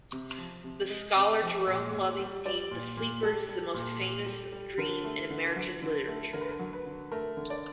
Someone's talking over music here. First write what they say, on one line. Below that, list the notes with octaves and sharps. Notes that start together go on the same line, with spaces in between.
The scholar Jerome Loving deemed "The Sleepers" "the most famous dream in American literature".
C3
F3
C3
G#3
C3
F3
A#2
A#2
G3
G3 D5
A#2
A#2
G3 A4
G3
A#2
A#2
G3
G3
D3 A#4
A3
D3
F#3
D3
A3
D3 A#4
B4
A#4
F#3
B4
D3
A3 A#4
D3
D5